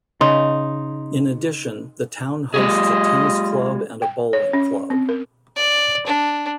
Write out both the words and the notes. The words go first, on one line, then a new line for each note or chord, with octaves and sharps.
In addition the town hosts a tennis club and a bowling club.
C#3 D#4 C6
G#3 F4 G4 G#4 D#5
G5
C#5
C#4
C4
A#4
D5
D4